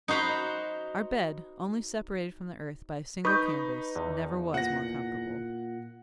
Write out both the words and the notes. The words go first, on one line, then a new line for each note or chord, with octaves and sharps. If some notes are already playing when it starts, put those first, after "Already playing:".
Our bed, only separated from the earth by a single canvas, never was more comfortable.
D#4 F#4 C5 A#5 B5
D#4 B4 C#6 D#6 G6
E2
A#2 F#5 A#6